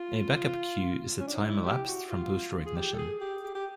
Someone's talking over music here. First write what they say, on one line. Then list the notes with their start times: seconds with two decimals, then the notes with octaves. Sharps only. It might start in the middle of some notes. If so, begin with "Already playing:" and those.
A backup cue is the time elapsed from booster ignition.
Already playing: F4
1.19 C#4
1.27 D4
1.35 D#4
1.43 E4
1.66 G4
1.88 F#4
2.10 F4
2.66 G#4
2.76 G4
2.93 A4
2.98 G#4
3.21 G4
3.43 G4
3.55 G4